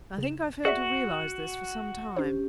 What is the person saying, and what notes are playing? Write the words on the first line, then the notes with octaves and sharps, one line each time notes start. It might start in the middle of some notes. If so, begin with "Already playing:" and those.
I think I failed to realize this for some time.
C#3 E7
F#4 G#4 D5 E5
C#4 D4 G4 C5